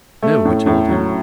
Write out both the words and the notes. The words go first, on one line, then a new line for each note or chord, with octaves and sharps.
"No," we told him.
A3
A2
A2
F#3